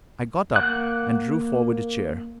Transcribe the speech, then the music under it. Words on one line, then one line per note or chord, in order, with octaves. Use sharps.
I got up and drew forward a chair.
A#3 F#5 F#6